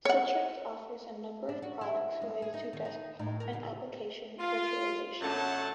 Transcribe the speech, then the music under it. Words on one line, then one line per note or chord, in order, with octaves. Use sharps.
Citrix offers a number of products related to desktop and application virtualization.
C#5 F#5
D4
F#4
E4
G#3
G#4
D#4
D#3
D#4
A2
A#4
C#3
F4
F#2 D3 F#3 A3 F#5 A5